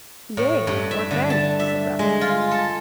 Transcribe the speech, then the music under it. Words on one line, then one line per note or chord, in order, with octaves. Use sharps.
"Yea, what then?" said Ralph.
A2
G2
E5
D3
A5
E5
G#3
F4
A4